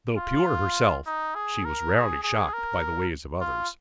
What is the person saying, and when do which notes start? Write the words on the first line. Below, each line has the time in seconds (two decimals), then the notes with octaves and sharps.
Though pure herself, she was rarely shocked by the ways of others.
0.18 F4
1.06 D#4
1.35 G#4
1.65 A#4
1.95 G#4
2.23 G#4
2.53 A#4
3.41 F4